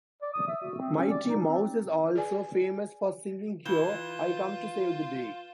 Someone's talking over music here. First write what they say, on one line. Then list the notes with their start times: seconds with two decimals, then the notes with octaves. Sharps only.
Mighty Mouse is also famous for singing Here I come to save the day!
0.22 D5
0.34 D#6
0.47 E5
0.62 F#4
0.78 C4
0.96 C#4
1.10 D5
1.28 D#4
1.47 C4
2.15 G#4 B4 D5 G#5
3.65 E3 F4 G6 E7 G7